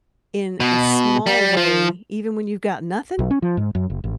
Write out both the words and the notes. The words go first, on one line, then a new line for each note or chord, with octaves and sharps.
in a small way even when you've got nothing
B2
G3
F3
B1
C#4
F3
G#2
F#2
F#1
A1